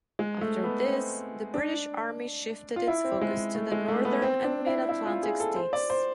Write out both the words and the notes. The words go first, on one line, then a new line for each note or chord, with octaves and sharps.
After this, the British Army shifted its focus to the Northern and Mid-Atlantic states.
G#3
A3
B3
C4
D4
F4
E4
C4
G#3
A3
G#3
A3
B3
C4
D4
E4
E4
F4
G#4
A4
C5
D5
C5